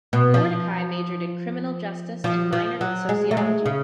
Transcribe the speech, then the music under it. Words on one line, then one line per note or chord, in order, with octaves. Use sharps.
Mordecai majored in criminal justice and minored in sociology.
B2
F3
F3
F3
F#3
G#3
A3
G#3
C#3